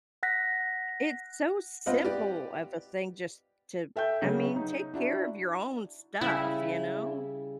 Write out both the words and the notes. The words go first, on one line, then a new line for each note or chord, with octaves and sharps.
it's so simple of a thing just to, I mean, take care of your own stuff, you know.
F#5 F#6 A#6 B6
C4 F4 B4 D#5 F#5
G4 B4 D5
A4 E5 G5 G6
C#3 F#3 B3 C#4
D#4
D4 E4 F#4
C#3 G3 E4